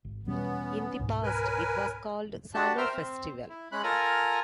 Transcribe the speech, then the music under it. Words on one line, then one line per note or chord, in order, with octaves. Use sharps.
In the past, it was called Sannou Festival.
G#1
E2 B2 G3 B3 C#4
C#2 G#2 B2
A#4 B4 G#5
C#5
D4 F#4 G4 A5
A#4 C5 E5 G5 F6
C4
E4
G#3 C#4 B5 F#6
F4 A4 A#4 G#5 A#5